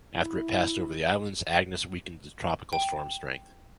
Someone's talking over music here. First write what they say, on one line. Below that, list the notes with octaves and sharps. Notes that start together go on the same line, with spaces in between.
After it passed over the islands, Agnes weakened to tropical storm strength.
E4
G5